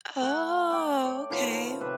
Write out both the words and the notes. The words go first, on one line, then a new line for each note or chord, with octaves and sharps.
Oh, okay.
A3 F#5
D5 G5 D6
C#5 D5
A2 D#3 F3 B3
C3 B4 D5 E5